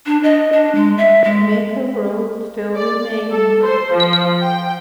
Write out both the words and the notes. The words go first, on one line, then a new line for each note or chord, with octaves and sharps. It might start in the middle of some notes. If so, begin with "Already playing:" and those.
Jamaica Road still remains.
D4
D#5
D4
G#3
E5
G#3
D5
A4
C5
F3
G5